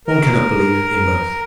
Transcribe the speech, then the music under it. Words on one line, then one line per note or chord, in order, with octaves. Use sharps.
One cannot believe in both.
A#4